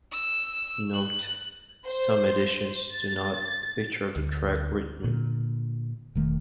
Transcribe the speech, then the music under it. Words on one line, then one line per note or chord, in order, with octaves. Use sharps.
Note: Some editions do not feature the track "Written".
E6
F#6
C5
A6
D2
A#2 D3
E1 D#3 A3